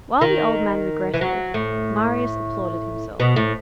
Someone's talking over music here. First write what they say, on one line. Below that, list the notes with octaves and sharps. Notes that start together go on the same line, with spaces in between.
While the old man regretted, Marius applauded himself.
D#3
E3
F#3
A2
B2
A2